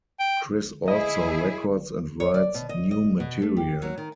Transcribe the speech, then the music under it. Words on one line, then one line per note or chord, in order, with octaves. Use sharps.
Chris also records and writes new material.
G5
E4 G#4 D#5
C#5
D5
B2
D#5
D#5
B2
A3
G4
F#3
D#3